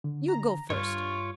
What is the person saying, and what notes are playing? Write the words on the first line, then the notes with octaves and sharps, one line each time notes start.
"You go first."
D3
A#5
G2 F4 C#5 C#6